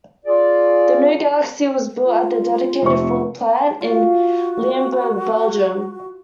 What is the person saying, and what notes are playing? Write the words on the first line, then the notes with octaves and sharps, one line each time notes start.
The new Galaxy was built at a dedicated Ford plant in Limburg, Belgium.
F4 G#4 D5
F4
F1 C3 C#6
F4 F#4